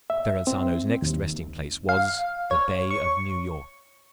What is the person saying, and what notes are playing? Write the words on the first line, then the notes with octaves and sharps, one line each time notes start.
Verrazzano's next resting-place was the Bay of New York.
E5
C4
D#2
F5
C#5
C#6